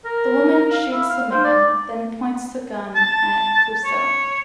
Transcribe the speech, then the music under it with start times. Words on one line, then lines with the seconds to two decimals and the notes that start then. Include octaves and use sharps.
The woman shoots the man, then points the gun at Clouseau.
0.05 A#4
0.71 F5
0.92 E4
1.09 F5
1.31 C5
1.45 D5
2.95 A5
3.84 C#5